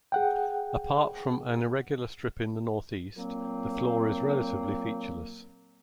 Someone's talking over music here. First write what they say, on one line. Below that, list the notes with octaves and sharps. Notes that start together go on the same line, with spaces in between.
Apart from an irregular strip in the northeast, the floor is relatively featureless.
G#4 F#5 G5
A#2 F#3 A#3 C4